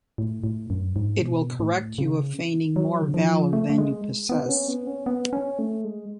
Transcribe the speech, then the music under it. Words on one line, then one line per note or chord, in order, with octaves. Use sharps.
It will correct you of feigning more valour than you possess.
A2
A2
F#2
G#2
B2
A2
C#3
F#3
D3
F3
A3
A3
G#3
B3
C#4
B3
C#4
B3
C#4
A3
G#3